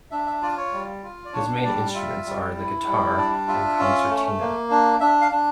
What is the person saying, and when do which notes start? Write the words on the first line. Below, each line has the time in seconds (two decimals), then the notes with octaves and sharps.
His main instruments are the guitar and concertina.
0.11 D4 E5
0.26 E5
0.42 F4 D5
0.57 C#5
0.73 G3
1.03 F4
1.25 D5
1.33 D4 C#5
1.64 G3 D5
1.94 F4 E5
2.26 G3
2.56 E4
2.87 G3
3.17 D4 D5
3.48 F4 E5
3.79 C#4
4.09 A3
4.40 A#3
4.70 D4
5.00 D4 E5
5.21 F5
5.32 D4